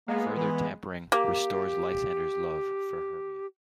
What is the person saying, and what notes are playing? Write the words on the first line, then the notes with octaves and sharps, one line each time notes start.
Further tampering restores Lysander's love for Hermia.
G#3 A#3 B3
E3
A#3 G4